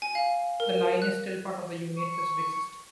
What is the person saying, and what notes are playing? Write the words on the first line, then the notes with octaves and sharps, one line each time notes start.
The line is still part of the Union Pacific system.
G#5
F5
A#4
F#6
C#6